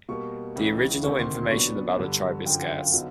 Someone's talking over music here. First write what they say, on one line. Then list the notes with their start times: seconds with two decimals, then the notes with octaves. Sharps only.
The original information about the tribe is scarce.
0.09 B2 G3 A#3 C#6
0.56 C#2 C#3 E3
1.03 D2 C3 D#3 C#6
1.19 C6
1.34 C6
1.51 A#2 F#3 B3 D4 C#6
1.98 G2 D3 G3
2.45 F#2 D3 F3 G5
2.62 F#5
2.77 F5
2.93 D3 F#3 B3 D#4